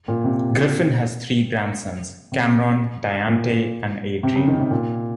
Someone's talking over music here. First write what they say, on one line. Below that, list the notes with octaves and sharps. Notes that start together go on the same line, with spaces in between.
Griffin has three grandsons, Kamron, Diante, and Adrien.
A#2
C3
C3
A#2
A#2
C3
C#3
D#3
C3
A#2